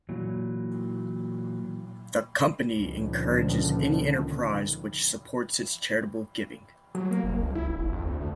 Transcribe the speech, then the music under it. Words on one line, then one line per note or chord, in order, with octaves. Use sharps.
The company encourages any enterprise which supports its charitable giving.
A#2 E3 F#3
C#2 A#2 D3 D#3 F3
F#3
A#3
F1
C#2
E4
D1
G#1
F2
D2
D2